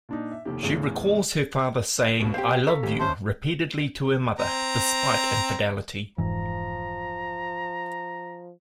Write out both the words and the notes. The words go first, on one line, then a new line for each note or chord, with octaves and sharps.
She recalls her father saying "I love you" repeatedly to her mother, despite infidelity.
A#2 D4 D#4
E5
F1 D#2 D#3 G4
E2 A2 C#3
C2 G2 B2
C4 G4 C5 F5 G5
A4 F5 A#5 C#6 B6
G#1 D#2 G4
C#4 C5 E5 A5
C4 A#5
F1 G#2 E3 F3 A#5